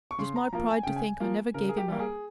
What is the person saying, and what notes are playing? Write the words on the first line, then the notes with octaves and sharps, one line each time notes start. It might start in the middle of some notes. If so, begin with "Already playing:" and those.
It is my pride to think I never gave him up.
C#6
C#3 C6
A#5
F3 A#3 A#5
G#5
C#3 G5
G#5
F3 A#3
C#3 A#4
G#4
G4
G3 A#3
G#4